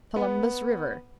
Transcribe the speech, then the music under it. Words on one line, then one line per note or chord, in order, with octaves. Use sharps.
Columbus River.
B3